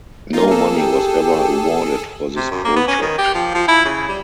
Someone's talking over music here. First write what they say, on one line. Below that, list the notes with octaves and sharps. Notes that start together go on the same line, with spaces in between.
No money was ever awarded for this project.
A#3 D#4 F4
G#4 A4
G4
C3
F#2
A#3
B3
C#4
D#3
G4
F3
F3
E4
C#3
G3